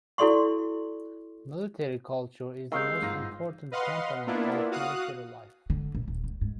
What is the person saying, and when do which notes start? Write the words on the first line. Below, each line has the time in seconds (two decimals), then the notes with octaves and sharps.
Military culture is the most important component of military life.
0.18 E4 F#4 A4 D5 C6 C#6
2.72 D#3 G#3 C4 G4 F5 E6 G6
3.02 G1 G#2 A#6
3.72 B4 D#5 F5 F#5 C6
4.27 A#3 B3 D4 E4 F4
4.71 F#4 F5 D#6 F#6
5.70 D3
5.95 A#1
6.08 D#1
6.24 D2
6.41 G#2